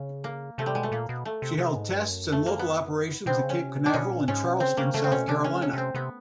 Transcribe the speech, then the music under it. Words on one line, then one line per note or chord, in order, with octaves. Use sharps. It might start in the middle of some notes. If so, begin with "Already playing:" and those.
She held tests and local operations at Cape Canaveral and Charleston, South Carolina.
Already playing: C#3
A#3
C3 A3
G3
B2 G#3
A3
A#2 A#3
B2
A3
C3
C3
G#2
G2
F#2
F2
A3
F#2 A#3
B3
B2 C4
C#3
C#4
C3
B2
D4
B2 C#4
A#2
G#2 C#4
B2
C#3 C4
C#3 A#3
C#3 A3
C4
B2 C#4
C3 D4
C#4
C#3
C#4
C3 C4
C3 B3